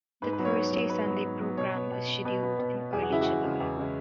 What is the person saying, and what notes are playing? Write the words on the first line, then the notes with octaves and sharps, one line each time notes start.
The Thursday-Sunday program is scheduled in early July.
G#2 B4
B4
F#3 B3
C#5
G#2
F#3 B3
G#2 B4
F#3 B3
G#2
F#3 B3
B2 C#5
B3
B2
B3
B2 B4
B3
B2
B3
E2 G#4
F#4
C#3 G#3 E4
F#4
E2
C#3 G#3
E2
C#3 G#3